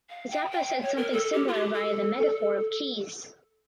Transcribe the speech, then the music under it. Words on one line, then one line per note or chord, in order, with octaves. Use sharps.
Zappa said something similar via the metaphor of cheese.
F5
G5
G5
G5
C#5
A#4
A4
G4
F4
G4
A4